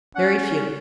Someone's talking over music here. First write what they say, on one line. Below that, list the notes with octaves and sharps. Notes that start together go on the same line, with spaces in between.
"Very few."
C#4 F#5